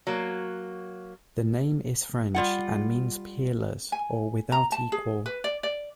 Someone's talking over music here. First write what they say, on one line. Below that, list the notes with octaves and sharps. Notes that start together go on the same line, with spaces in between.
The name is French and means 'peerless' or 'without equal'.
F#3 A#3
G3 F4 F#5
G#5
A#5
A5
G#4
B4
D5
D5